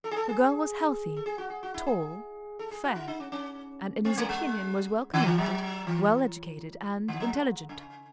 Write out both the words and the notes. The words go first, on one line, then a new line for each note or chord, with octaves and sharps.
The girl was healthy, tall, fair, and in his opinion was well connected, well educated and intelligent.
A4
G#4
A4
G#4
A4
G#4
F#4
G#4
F#4
E4
G#4
A4
G#4
F#4
E4
D#4
C#4
C#4
C4
A3
G#3
D#3
E3
F#3
E3
D#3
F#3
G#3
C#3